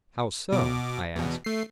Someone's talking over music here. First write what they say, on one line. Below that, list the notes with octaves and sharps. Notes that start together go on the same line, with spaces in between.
"How so?" I asked.
B2 D6
E2 B2
A3 C7